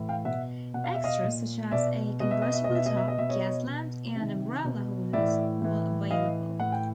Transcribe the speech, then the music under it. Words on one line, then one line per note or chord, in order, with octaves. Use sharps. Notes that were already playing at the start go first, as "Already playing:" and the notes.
Extras such as a convertible top, gas lamps, and umbrella holders were available.
Already playing: A2 E3
F5 G5
B2 E5 F#5
B2 F#5
F5
E5
D#5 F5
A#2
B2 D5 E5
B2 D#5
E5
D#5
E5
B2 D#5
E5
D#5
E5
D#5
B2 E5
C#5 D#5
B2
C3 D#3
B2
A2 E3 D5 E5
A2 E3
A2 E3 D#5 F5
A2 E3 F#5
G5